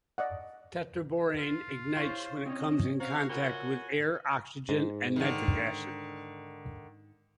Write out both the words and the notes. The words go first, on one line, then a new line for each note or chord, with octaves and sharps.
Tetraborane ignites when it comes in contact with air, oxygen, and nitric acid.
D5 D#5 F#5
F4
E4 C5 C#5 F5 C#6
C4 C#4 C#5 D#5
F#4 C5 F5 A#5
F4 F#4 A#4 C#5 G#5 B5 G7
G#2
D3 D#3